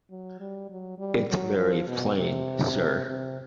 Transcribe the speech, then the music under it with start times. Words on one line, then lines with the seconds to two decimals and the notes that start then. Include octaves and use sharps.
It's very plain, sir.
0.10 F#3
0.40 G3
0.70 F#3
0.98 G3
1.28 F#3
1.58 F3
1.88 B2
2.16 C3
3.06 C3